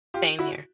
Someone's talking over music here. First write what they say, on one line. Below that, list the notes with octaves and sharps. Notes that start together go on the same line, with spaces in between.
Same here.
F4 G4
E4 F#4